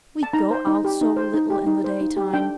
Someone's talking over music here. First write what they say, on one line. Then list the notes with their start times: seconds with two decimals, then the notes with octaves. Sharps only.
"We go out so little in the daytime."
0.23 A5
0.33 D#4 A#5
0.51 C5
0.67 D#4
0.84 G4
1.01 D#4
1.17 C5
1.34 D#4
1.50 G4
1.67 D#4
1.84 C5
2.01 D#4
2.17 G4
2.34 D4 G5